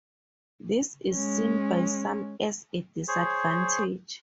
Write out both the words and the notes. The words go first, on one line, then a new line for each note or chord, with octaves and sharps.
This is seen by some as a disadvantage.
G#3 C#4
G#4 C5 C#5